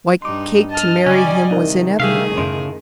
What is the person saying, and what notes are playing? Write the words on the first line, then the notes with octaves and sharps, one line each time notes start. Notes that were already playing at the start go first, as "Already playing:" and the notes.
Why, Kate, to marry him was inevitable!
G2 D#4 C6 D6
D#5 A5 F6
C#3 G3 C#4 D5 G#5 D6
C2 D#3 D#4 A#4
C3 G3 A3 G4 G#4 E5 F5
F#2 A2 C#3 C#4 C6